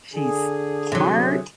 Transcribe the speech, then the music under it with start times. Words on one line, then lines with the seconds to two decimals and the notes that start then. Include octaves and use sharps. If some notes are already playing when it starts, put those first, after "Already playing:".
she's smart,
0.14 D3 G#4
0.92 C3 F#3